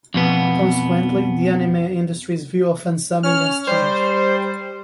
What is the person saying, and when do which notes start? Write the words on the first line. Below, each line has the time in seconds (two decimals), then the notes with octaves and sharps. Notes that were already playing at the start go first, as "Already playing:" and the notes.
Consequently, the anime industry's view of fansubbing has changed.
0.14 F2 B2 B3
3.23 C#4 F6
3.67 G3 C5